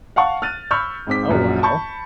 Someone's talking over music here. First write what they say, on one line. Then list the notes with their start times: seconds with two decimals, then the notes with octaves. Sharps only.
Oh, wow.
0.16 F5 F#5 A5 C#6
0.42 F6 F#6 A6 D#7
0.71 B5 C#6 E6 F6 G6
1.07 G#2 C4 D6 B6
1.29 A#1 F#2
1.63 A5 B5 C#6 G6